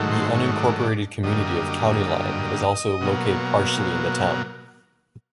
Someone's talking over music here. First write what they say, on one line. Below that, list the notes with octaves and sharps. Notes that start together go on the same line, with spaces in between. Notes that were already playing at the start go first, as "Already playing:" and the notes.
The unincorporated community of County Line is also located partially in the town.
Already playing: G#2 D#3 F#3 A3
C5
C#5
D5
D5
F#2 D3 G3 A#3 D#5
B2 F#3 A#3